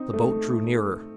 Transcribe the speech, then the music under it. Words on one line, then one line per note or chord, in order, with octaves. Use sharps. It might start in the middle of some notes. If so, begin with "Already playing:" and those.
The boat drew nearer.
Already playing: C4 D#4
A3